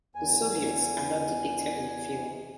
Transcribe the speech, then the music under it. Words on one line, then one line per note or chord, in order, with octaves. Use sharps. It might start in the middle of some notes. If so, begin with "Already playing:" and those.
The Soviets are not depicted in the film.
E2 G#5